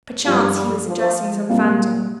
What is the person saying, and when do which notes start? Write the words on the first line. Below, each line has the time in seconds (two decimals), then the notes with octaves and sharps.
Perchance he was addressing some phantom.
0.25 G2 F3 G3 D4 F4
0.56 G3
0.87 F3
1.49 C2 A#2 A#3 F4